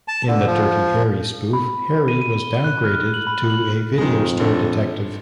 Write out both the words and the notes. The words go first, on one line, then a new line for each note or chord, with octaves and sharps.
In the "Dirty Harry" spoof, Harry was downgraded to a video store detective.
A5
D3
F3
B5
D#7
D#7
G7
F#6
F6
F#7
B5
F#7
F2 D#3 G#3
G#1 D3